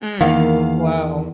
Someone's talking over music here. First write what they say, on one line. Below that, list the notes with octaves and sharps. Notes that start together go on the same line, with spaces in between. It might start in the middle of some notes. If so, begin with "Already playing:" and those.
Mm, wow.
E2 D#3 A#3 F5